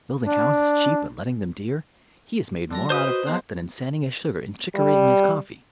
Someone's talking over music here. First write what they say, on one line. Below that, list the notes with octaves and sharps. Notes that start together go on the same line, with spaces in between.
Building houses cheap and letting them dear; he has made more out of that than in sanding his sugar and chicorying his coffee.
D4
D3 F#3 D4 A#5
D#4 F#4 B4 C5 D#6
F#4
F2 G#3 B3 C5
G3